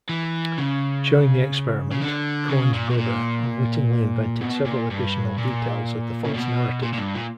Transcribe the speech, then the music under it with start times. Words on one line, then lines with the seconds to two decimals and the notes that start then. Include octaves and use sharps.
During the experiment, Coan's brother unwittingly invented several additional details of the false narrative.
0.09 E3
0.58 C#3
1.91 C#3
2.02 D3
2.50 C#3
2.74 A#2
2.90 B2
2.97 A#2
4.41 B2
4.65 A#2
4.91 G2
5.38 A#2
6.25 C#3
6.34 B2
6.82 A#2
6.93 A#2
6.98 G2
7.15 A#2